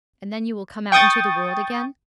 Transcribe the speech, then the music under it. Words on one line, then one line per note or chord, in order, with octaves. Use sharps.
'And then you will come out into the world again?
G5 C#6 D#6 G6 A6